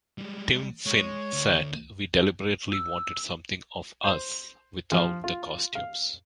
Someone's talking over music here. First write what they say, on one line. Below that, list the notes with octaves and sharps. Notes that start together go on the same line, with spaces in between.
Tim Finn said, We deliberately wanted something of us without the costumes.
G3 G#3
G#3 C#5
D2
E6
C5
F3
F4
F5